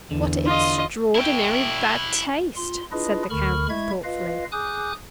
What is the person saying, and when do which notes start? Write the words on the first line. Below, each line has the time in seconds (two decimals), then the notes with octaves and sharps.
"What extraordinary bad taste!" said the count, thoughtfully.
0.11 E2 D3
0.46 F4 D#5
1.15 E4 G5
2.56 F4 C6
2.92 D4 E4 F4 G#4 B4 D#5
3.30 D2 D3 A#4 B5 C#6 F6
3.69 G#3 E4 E5 C#6 G#6
4.04 F4 B4 D#5 F5
4.52 G#4 G#5 D6 D#6 F#6 G6